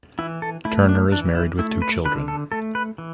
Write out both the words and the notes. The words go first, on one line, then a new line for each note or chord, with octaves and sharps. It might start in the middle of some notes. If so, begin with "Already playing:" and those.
Turner is married with two children.
E3 E4
A4
A3 E4
D4
E3 D4
E4
A3 E4
B4
D3 B4
A4
A3 A4
B4
E3